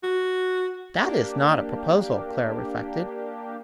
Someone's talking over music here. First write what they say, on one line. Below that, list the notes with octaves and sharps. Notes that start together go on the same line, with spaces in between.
"That is not a proposal," Clara reflected.
F#4
A#3 D4 G4